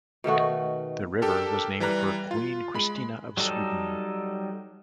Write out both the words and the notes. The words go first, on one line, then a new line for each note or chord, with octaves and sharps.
The river was named for Queen Christina of Sweden.
B2 D#3 A3 F#4
D4 G4 A4 A#4
E3 G3 B4 A#5 F#6
F4
G#3 B5
F#3 G3 D#4 A4